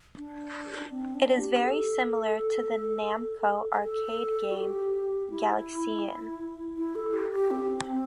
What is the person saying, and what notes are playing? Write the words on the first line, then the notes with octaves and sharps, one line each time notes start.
It is very similar to the Namco arcade game "Galaxian".
D4
C4
D4
G4
A4
A4
F#4
G4
E4
E4
A4
G4
G4
C4